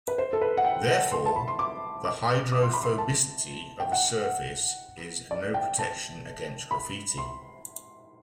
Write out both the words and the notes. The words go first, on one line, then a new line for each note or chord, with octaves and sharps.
Therefore, the hydrophobicity of a surface is no protection against graffiti.
B4
C5
A4
B4
F#5
G5
C6
A5
B5
C6
D6
D6
D6
C6
B5
C6
A5
G5
F#5
D5
G5
A5
B5
C6